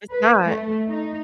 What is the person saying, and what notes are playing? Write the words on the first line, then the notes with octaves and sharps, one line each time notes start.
it's not.
B4
A3
D#4